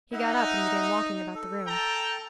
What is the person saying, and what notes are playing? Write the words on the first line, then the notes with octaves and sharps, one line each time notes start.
He got up and began walking about the room.
D#4 E5 F#5
A4
G5 A5 A#5